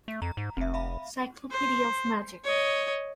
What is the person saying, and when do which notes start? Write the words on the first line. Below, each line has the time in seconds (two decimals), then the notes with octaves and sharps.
Cyclopedia of Magic.
0.08 A3
0.22 F2 A#5
0.37 G#2
0.57 F1 C4 E5
0.74 E5 F5 B5
1.50 C5
2.44 C#5 D#5